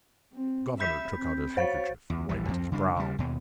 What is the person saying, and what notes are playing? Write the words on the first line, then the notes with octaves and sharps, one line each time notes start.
The governor took out his handkerchief and wiped his brow.
C4
E5 B5 G6 B6
C4
F#4 C5 C#5 F5 A6
E2
A#1 E3 G3
F2 F3 C4
C#3 G3 D4
C#3 G3
D#2 B2